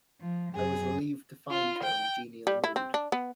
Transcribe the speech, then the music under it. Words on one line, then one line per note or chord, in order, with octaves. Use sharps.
I was relieved to find her in genial mood.
F3
F#2 G#4
F4
G5
G3
E4
C4
D4
B3